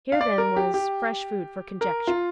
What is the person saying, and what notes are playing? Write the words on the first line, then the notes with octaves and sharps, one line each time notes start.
Here then was fresh food for conjecture.
F5
D5
A#4
G4
G4
A#4
F4